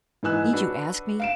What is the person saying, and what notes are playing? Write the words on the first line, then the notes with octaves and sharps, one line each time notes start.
"Need you ask me?"
G#2 E3 B3 G#5 E6 F#6
D4 F#4 B4
F5 D7 E7